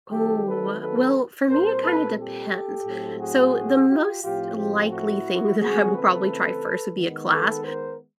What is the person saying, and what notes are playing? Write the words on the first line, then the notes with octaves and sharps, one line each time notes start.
Oh, wel well, for me, it kinda depends. So, the most likely thing that I will probably try first, would be a class,
D#3 F#3 A3 C4 G4 A4
A4 B4
A4 B4
A#2 G3 C4 A#4 C5
A4 B4
G4 A4
A2 F#3 A3 C4
F#4 G#4
F4 G4
A2 F3 A3 C4 F4 G4
F4 G4
E4 F#4
C#3 E3 A3 C4 F#4 G#4
A4 B4
D#3 G#3 B3
A4 B4
A#4 C5